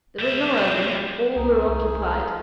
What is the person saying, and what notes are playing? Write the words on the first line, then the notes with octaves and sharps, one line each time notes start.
There was no other, all were occupied.
G3 E5
C2 D#4 G#4 G#5
C2